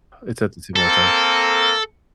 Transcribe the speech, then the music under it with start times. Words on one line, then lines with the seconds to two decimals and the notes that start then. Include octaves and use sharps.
it's at the tip of my tongue.
0.76 A#3 C4 A4 A#4